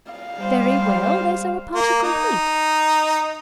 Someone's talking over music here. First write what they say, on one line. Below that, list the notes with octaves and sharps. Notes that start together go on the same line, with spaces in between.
Very well; there is our party complete!
F5
G3 C5
A#3
D#4